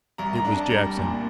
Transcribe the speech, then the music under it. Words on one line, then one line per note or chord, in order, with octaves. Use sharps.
It was Jackson.
C2 A#5
A#5
D4
A5
G3 A#5
A#2